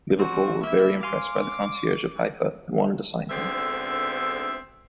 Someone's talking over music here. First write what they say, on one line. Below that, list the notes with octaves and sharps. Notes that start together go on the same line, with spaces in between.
Liverpool were very impressed by the concierge of Haifa and wanted to sign him.
F3 G3 C4 F#4
A#3 E4 E5
F5 G#5 C6 D6
D2 G#2 D3 B3 C4 E5